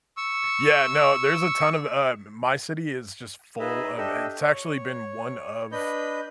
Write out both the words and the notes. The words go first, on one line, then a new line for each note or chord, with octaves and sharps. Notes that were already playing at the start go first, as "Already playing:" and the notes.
Yeah. No. There's a ton of, uh my city is just full of it's actually been one of
C#6 E6
D#4 G#4 B4 D#5 E5
D4 G4 A4 D#5 E5
C#5
D4 B4 D#5 B5 G6